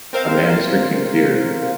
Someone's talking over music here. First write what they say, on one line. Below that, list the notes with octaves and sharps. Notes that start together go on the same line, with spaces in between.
A man is drinking a beer.
C4 A#4 C5 F5